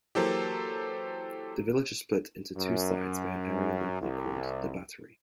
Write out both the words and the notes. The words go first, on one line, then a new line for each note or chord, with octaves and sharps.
The village is split into two sides by an area locally called 'The Battery'.
E3 F#3 A#3 G4 A4 C5
F#2
C2